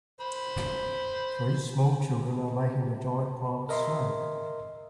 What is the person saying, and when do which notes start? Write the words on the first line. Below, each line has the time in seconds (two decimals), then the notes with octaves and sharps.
Three small children are making a giant pile of snow.
0.21 C5 B5
3.69 A#4 D#5 E5 C6